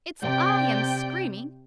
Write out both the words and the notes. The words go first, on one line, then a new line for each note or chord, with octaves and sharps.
It's I am screaming.
C3 D5 G5 G6